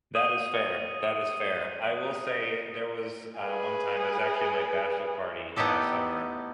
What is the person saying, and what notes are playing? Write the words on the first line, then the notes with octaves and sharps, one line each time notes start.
That is fair that is fair, I will say there was, uh, one time, it was actually my bachelor party last summer,
D#6 D#7
G#4 B4
A3 B3 D#4 E4 G4 A4